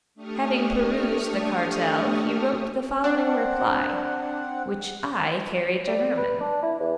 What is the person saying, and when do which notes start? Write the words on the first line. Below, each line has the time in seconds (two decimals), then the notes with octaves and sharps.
Having perused the cartel, he wrote the following reply, which I carried to Hermann.
0.15 A3 D4 G4 C#6 D#6 F6
3.04 C4 D4 F#5
5.87 G3
6.17 B4
6.40 D4
6.63 E4
6.80 E2